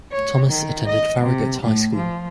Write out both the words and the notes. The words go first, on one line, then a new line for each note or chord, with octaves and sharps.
Thomas attended Farragut High School.
C#5
D#3
D#5
C3
A2
F3